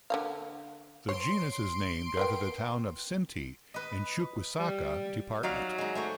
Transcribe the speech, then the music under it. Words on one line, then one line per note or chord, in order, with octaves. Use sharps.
The genus is named after the town of Cinti in Chuquisaca Department.
D3 A#3 F5
C#5 C6 D7
A#4 B4 G5
B4 D#5
G3
F#3 D#4 D5 F5
G#3 D#4
A3 C5 C#5